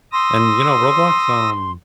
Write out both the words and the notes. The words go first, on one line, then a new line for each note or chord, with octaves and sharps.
And, you know, Roblox, um
C6 D#6 E6 A#6